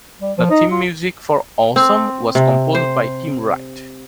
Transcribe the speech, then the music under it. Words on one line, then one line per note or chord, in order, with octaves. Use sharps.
The theme music for "Awesome" was composed by Tim Wright.
G3
F3
D#4
F4
C4
C3
C5